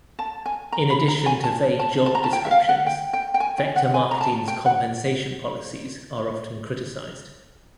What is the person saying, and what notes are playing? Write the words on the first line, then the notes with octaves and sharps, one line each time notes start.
In addition to vague job descriptions, Vector Marketing's compensation policies are often criticized.
A5
G#5
A#5
B5
A#5
G#5
A5
A5
A5
A#5
A5
G5
E5
F5
F#5
G5
G5
G5
G#5
G5
F#5
G#5
A#5
A5
G5
F#5